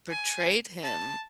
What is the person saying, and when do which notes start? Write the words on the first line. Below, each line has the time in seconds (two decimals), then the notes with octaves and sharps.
portrayed him
0.11 G#5
0.83 A5